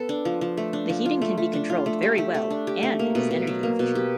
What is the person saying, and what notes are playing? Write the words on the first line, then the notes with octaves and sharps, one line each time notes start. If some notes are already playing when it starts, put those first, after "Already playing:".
The heating can be controlled very well, and it is energy efficient.
Already playing: B3 A4
D4
F3
F3
A3
D4
F3
F4
A3
A3
D4
F4
A3
G4
A3
A3
D4
G4
A3
A#3
B2
B2
F#3
A#3
B2
G4